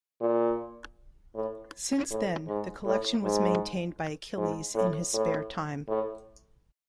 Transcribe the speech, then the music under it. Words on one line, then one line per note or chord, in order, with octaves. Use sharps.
Since then the Collection was maintained by Achilles in his spare time.
A#2
A2
A2
G#2
A2
G#2
G#2
A2
A2
A2